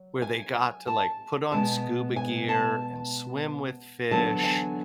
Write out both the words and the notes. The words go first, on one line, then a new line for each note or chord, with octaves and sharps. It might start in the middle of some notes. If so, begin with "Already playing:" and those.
where they got to like put on scuba gear and swim with fish
Already playing: F#3
G#5
A5
B2 G#3 B3 A5
G#5
A5
E2 D3 F#3 B3 A5
G#5